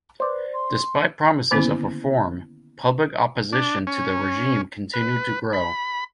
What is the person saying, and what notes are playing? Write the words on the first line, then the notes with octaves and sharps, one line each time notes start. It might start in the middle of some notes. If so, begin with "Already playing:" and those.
Despite promises of reform, public opposition to the regime continued to grow.
B4 C5 D5
C6
D3 D#3 A#3 B3 C#4 E4
D4
C#4
B4
B5